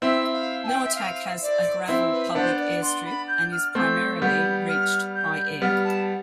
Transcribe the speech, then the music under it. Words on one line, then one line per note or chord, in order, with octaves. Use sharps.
Noatak has a gravel public airstrip and is primarily reached by air.
C4 E4 E5
F5
A5
G5
E5
F5
D5
C4 E4
B4
B3 D4 C5
D5
C6
B5
G6
F6
A3 C4 G6 A6
G3 B3 G6
F6
G6
G3 B3 F6
A5